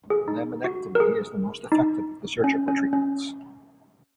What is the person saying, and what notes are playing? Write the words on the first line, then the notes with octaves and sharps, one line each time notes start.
Laminectomy is the most effective of the surgical treatments.
G#4
D#4
F#4
A#4
G#4
D#4
C#4
C#4
C#4